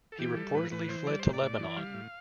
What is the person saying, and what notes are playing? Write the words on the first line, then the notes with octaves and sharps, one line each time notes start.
He reportedly fled to Lebanon.
A4
E3 G4
G3 A4
A2 B4
A2 B4
E3 C5
G3 D5
C5
A2
D5
A2
E3
G3 F5
A2